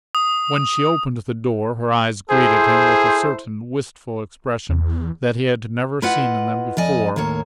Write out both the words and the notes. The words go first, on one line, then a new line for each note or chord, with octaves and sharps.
When she opened the door her eyes greeted him with a certain wistful expression that he had never seen in them before.
D#6
E4 G#4 A4 C5
E2
E4 F4 B4 D#5 F#5
F2 D5 D#5 G#5
D#2 A2 A#3 C#5